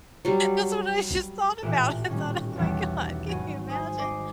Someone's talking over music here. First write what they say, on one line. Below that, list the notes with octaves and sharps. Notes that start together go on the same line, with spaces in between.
That's what I just thought about. I thought, "Oh my God, can you imagine?"
F#3 G3
A1 A#2 A3 G4 D7 E7
D#3 G3 C#4
B1 E2 D#3 G3
G#1 F#3 A#6 D#7
C5 G#5 D#6
D#5 D6 C7